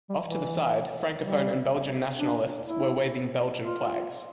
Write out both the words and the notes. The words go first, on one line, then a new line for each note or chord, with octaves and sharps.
Off to the side, Francophone and Belgian nationalists were waving Belgian flags.
G3
E3
G3
D4
E4
F4